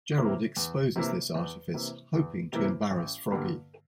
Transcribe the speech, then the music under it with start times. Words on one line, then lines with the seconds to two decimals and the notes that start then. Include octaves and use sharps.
Gerald exposes this artifice, hoping to embarrass Froggy.
0.18 C3 E3 A#3 E4
0.57 E2
0.96 C3 E3 A#3 E4
1.35 E2
1.74 C3 E3 A#3 E4
2.14 E2
2.53 C3 E3 A#3 E4
2.91 A1
3.31 G2 D3 G3 A#3